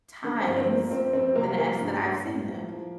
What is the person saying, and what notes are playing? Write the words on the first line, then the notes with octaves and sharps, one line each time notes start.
times with an S, that I've seen them.
D3 A#3
C4
G2
C4
F3
A#3
F2 C4
F2 C4
C3 A#3
F3 A#3
G2
G2
A2
F3
F3